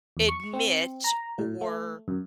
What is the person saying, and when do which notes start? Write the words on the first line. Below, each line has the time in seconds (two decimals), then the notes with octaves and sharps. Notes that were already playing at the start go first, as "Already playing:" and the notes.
admit or
0.17 E2
0.29 C#6
0.53 C4
1.04 A#5
1.39 A2
1.61 A3
2.08 F#2